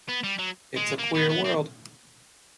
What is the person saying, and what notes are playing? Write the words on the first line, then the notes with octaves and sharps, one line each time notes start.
It’s a queer world.
B3
G3
F#3
G#3
A#3
B3
B3
C4